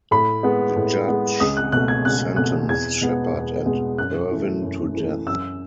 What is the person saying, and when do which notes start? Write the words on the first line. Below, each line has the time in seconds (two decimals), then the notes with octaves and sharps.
The judge sentenced Shepherd and Irvin to death.
0.11 A2 B5
0.43 G#3 B3
0.76 A2
1.08 G#3 B3
1.40 C#2 D#6
1.57 F#6
1.72 B2 A3 F#6
1.88 G#6
2.05 C#2 F#6
2.36 B2 A3 F#6
2.69 E2 G#6
3.01 B2 G#3 B3
3.33 E2
3.66 B2 G#3 B3
3.98 F#2 F#6
4.30 E3 A3
4.62 F#2
4.94 E3 A3
5.27 F#2 E6